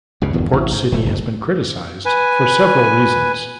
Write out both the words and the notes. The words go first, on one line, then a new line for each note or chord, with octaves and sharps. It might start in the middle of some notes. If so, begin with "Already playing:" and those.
The port city has been criticised for several reasons.
C#2 G2 C#3
G1 E2
A1 D2
G#2
D1 D3 A3
F#1
B4 G#5